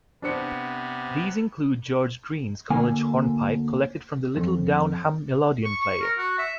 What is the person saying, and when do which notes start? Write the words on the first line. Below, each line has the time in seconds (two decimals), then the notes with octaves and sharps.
These include "George Green's College Hornpipe", collected from the Little Downham Melodeon player.
0.22 C3 B3 D4 C5 C#7
2.70 D2 D3 A#3 G#5
4.37 F2
5.64 C#6
5.81 C#6
6.01 A#4
6.18 F#4
6.39 E5